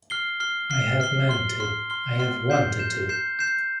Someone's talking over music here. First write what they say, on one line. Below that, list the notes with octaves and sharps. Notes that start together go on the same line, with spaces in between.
I have meant to, I have wanted to.
F6 C7 G7
F6 C7 G7
F6 C7 G7
F6 C7 G7
C6 F6 C7 G7
C6 F6 C7 G7
C6 F6 C7 G7
C6 F6 C7 G7
G6 C7 E7
G6 C7 E7
G6 C7 E7
G6 C7 E7